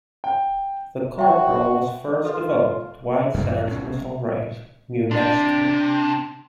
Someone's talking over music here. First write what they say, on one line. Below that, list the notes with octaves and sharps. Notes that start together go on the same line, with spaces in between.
The Corporal was first developed at White Sands Missile Range, New Mexico.
G5
F#4 E5 G5
F4 A4 B4
F#2 E3
F1 B1 C#4
C3 D4